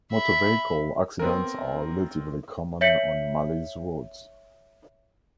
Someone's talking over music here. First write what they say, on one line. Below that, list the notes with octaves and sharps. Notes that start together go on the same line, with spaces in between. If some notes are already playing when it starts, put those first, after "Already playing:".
Motor vehicle accidents are relatively common on Mali's roads.
E5 B5
B3 C4 A#4
C#5 E5 G6 B6 C#7 F#7